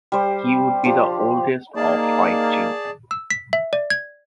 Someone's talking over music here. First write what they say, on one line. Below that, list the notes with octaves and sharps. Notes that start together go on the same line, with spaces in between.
He would be the oldest of five children.
G3 C5
F3 G4 D5
A#3 D#4 G#4 D5 A5
E6
B6
E5
D5
G#6